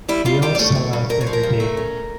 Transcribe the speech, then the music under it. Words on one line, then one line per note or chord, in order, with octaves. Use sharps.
We all sell out every day.
G3 E4
G3 F4
G3 G4
D5
A3 C#5
A3
G2
G2 A#4
C#5
F3
A#4
G2
A3
C#4